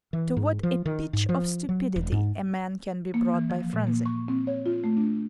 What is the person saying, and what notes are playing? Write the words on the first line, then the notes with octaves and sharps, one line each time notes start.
To what a pitch of stupidity a man can be brought by frenzy!
E3
G#2
F3
D#3
G#2
F3
F#3
E1
G#2
A#3
E3
F3
A#2
A#3
C#6
C4
C#5
F4
A3
D4